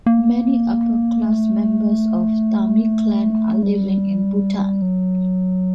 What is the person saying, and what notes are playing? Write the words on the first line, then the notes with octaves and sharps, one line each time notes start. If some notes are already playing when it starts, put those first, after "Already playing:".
Many upper class members of Thami clan are living in Bhutan.
A#3
A3
G3
F#3